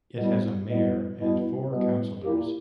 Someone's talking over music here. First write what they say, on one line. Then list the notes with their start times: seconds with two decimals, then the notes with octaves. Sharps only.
It has a mayor and four councillors.
0.18 B2 G3 B3 E4
0.70 B2 G3 B3 E4
1.21 B2 G3 B3 E4
1.72 B2 G3 B3 E4
2.23 A#2 A#3 E4 G4